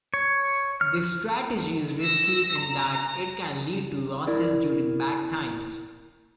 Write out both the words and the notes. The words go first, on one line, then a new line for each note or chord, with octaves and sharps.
This strategy is risky in that it can lead to losses during bad times.
C#5
F6
E6 A#6
A#5
E4 A#4 D5